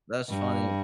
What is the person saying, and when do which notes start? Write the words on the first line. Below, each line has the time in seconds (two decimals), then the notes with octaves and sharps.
that's funny.
0.30 G2